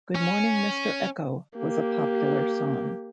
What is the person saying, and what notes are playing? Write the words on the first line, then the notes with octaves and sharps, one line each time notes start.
"Good Morning, Mister Echo" was a popular song.
C#4
A#3 G4